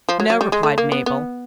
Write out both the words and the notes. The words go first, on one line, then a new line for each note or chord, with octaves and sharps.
"No," replied Mabel.
F3
F#3
F#3
G3
G#3
A3
A#3
B3
B3